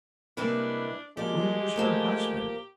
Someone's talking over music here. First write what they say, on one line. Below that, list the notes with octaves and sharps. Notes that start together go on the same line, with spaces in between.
Where was her husband?
C3 G3 G#3 A#3 D4 E4 B4
F#2 F3 G#3 A#3 F4 G4 D5
A#2 F3 G3 A3 A#3